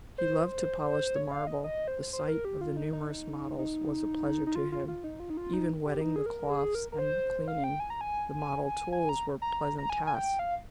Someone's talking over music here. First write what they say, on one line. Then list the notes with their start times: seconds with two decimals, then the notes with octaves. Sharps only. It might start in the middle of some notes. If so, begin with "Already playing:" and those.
He loved to polish the marble; the sight of the numerous models was a pleasure to him; even wetting the cloths and cleaning the model tools were pleasant tasks.
0.18 C5
1.16 C#5
1.31 F5
1.47 D#5
1.64 D#5
1.88 C5
2.13 C5
2.29 A#4
2.45 G4
2.61 F4
2.77 D#4
2.93 D#4
3.59 D#4
4.47 D#4
4.55 F4
4.72 F4
4.88 F4
5.04 D#4
5.20 F4
5.30 D#4
5.37 F4
5.53 D#4
5.86 G4
6.01 D#4
6.16 G#4
6.26 A#4
6.50 G#4
6.75 A#4
6.92 A#4
6.99 C5
7.48 F5
7.64 G5
7.80 G#5
7.90 A#5
8.01 G#5
8.92 G#5
9.09 A#5
9.42 A#5
9.78 A#5
9.90 G#5
10.07 G#5
10.15 G5
10.39 F5